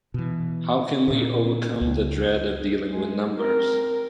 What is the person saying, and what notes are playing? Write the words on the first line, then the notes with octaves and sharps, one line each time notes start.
How can we overcome the dread of dealing with numbers?
B2 E3
A#2 D3
C#2
G#3 G#4
C4 A#4